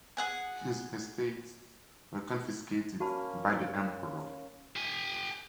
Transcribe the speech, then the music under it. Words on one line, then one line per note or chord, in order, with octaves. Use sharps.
His estates were confiscated by the Emperor.
G#4 F#5 G#5
A#3 C#4 F#4 A5 B5
G4 G#5